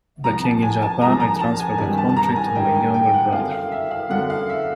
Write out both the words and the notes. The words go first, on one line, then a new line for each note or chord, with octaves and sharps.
The king in Japan I transfer the country to my younger brother.
C2 C3 F3 A#5
A5
G#5
A5
C2 C3 F3 A#5
A#5
A5
G#5
G2 D#3 G3 G#5
A5
A5
A#5
G#5
G2 D#3 G3 G5
G#5
G5
F#5
F#2 D3 F#3 F5
F5
E5
F5
F#2 D3 F#3 F#5
F5
E5